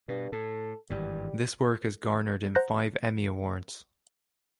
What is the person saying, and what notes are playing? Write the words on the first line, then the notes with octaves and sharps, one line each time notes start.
This work has garnered him five Emmy Awards.
G2 B2
A2 A4
G#1 G2 E3 G3
C5 F#5 A#5 F#6 G6 A#6